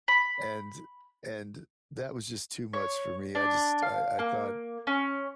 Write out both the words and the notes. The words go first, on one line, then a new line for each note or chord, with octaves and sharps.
and and that was just too much for me, I just I I thought
B5
C#5
D4
F5
A#3
C#4